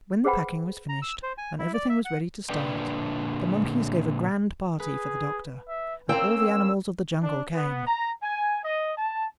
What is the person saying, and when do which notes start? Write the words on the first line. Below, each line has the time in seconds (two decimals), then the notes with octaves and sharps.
When the packing was finished and everything was ready to start, the monkeys gave a grand party for the Doctor, and all the animals of the jungle came.
0.25 G#4 B4 C5 F#5 G5 B5
0.89 A#5
1.02 E6
1.23 C5
1.38 G#5
1.59 E4
1.74 D5
1.89 E5
2.05 F#5
2.50 A#2 D3 D4 B4 D5 G5
4.80 G#4 B4
5.68 E5
6.09 A#3 C4 C#4 G5 E6
7.23 D4
7.55 B3
7.87 A#5
8.22 G#5
8.63 D#5
8.98 A5